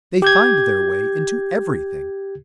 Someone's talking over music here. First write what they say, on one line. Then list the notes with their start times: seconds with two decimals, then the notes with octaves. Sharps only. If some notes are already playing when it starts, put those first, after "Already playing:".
They find their way into everything.
0.22 G4 G6 G#6